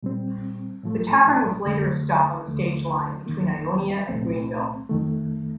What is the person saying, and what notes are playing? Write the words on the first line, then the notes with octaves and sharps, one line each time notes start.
The tavern was later a stop on the stage line between Ionia and Greenville.
A#2 G3 C4
A2 F3 A3
F2 D3 A3
D#2 D3 F3 A3
F2 D#3 A#3
C2 A#2 A3 C4
F2 D#3 A3